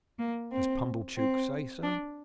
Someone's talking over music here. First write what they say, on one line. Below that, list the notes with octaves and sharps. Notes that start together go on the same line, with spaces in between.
"Does Pumblechook say so?"
A#3
C4
C4
D4